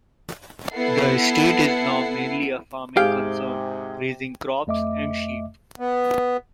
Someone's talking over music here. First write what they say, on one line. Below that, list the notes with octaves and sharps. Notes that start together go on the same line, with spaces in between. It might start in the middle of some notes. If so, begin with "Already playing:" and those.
The estate is now mainly a farming concern, raising crops and sheep.
B3 E4 A4 F#5 C7
G#2 C3 G4 G#4 F5
F2 A3 D#5 E5 D6
B3